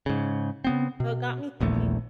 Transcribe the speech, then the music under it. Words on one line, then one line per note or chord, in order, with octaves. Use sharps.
So it got me thinking,
G#2 C#3
C#3 B3 C4
B2
D#1 A#1 E2 A3